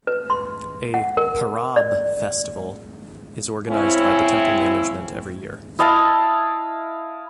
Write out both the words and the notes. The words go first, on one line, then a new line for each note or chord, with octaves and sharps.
A "Parab festival" is organised by the temple management every year.
B4
C6
F#5
A#4
D5
C#3 C4 C#4 E4
E4 D#5 F5 A5